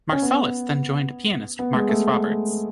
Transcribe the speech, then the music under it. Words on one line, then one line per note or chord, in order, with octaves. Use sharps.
Marsalis then joined pianist Marcus Roberts.
C#4
B3
B3
G#3
A3